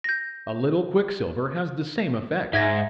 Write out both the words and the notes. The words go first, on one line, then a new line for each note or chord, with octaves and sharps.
A little quicksilver has the same effect.
G6 A#6
G#2 E5 G#6 A#6